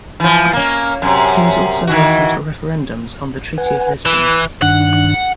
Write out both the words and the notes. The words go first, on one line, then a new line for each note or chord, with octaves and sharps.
He is also working for referendums on the Treaty of Lisbon.
E3 F3
A#3 C#4
F#2 C3
D#3 E3 F#4
B4 F#5 G#5
E3 F#6
G2 D#3 D4 F#5